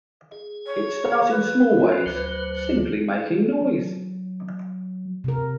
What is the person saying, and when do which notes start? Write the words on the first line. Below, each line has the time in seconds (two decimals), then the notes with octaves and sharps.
It starts in small ways, simply making noise.
0.32 G#4
0.66 C#5
1.30 B4
1.92 F3
2.06 D2 F#3 C5
3.61 F#3
5.24 C3 A#4